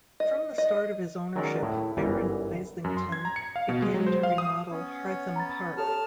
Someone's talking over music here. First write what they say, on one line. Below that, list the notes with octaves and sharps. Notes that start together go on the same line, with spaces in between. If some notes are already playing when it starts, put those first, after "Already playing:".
From the start of his ownership, Baron Islington began to remodel Hartham Park.
D#5
D#5
D#3 F#3 G#3 C#4 A#4 D5
A2 E4
G1 F#2 E3 G3 A#5
F#2
C6
G#6
A#5
C#7
F5
B2
G#3
F#3
C5
F5
D#6
B3 C#4 C#5
A#5 B5 A6
G4 A4 C#5 A5 F6